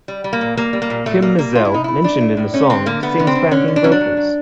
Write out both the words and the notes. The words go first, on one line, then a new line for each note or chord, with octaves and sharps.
Kym Mazelle, mentioned in the song, sings backing vocals.
G3
G3
A#3
A#2
G3 A#3
G3
A#3
A#2
A#2 A3
G3 A#3
G3 A#3
A3 F4
E4
A2 D#4
A3 E4
A3 D4
A3
A2
A3 C#4
D3 C4
D3 A#3
A3 B3
D3
C4
D3
D3 C#4
D3
D4
F#3 C#4
D4
F#3
F#3